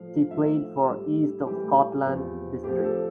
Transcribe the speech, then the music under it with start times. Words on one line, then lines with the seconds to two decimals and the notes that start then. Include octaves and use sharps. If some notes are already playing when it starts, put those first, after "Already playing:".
He played for East of Scotland District.
Already playing: A2 F3 F5
0.31 A2 F3 E5
0.88 A2 G3
1.47 A2 E3 G3 G4
2.05 E2 C3 F3
2.63 D2 C3 F3 G4
2.84 A4